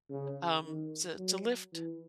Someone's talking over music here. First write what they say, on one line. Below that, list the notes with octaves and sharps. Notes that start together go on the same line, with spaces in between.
um, to to lift
C#3
D#3
F#3
E3